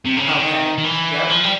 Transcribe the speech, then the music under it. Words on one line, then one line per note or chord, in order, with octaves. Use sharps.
Okay, yep.
C3
C#3
D3
D#3
D#3
E3
F3
G3